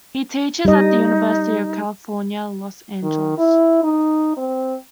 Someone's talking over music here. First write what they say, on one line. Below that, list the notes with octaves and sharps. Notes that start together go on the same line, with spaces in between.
He teaches at the University of California, Los Angeles.
G3 D#4 D#5
D#3
E4
D#4
C4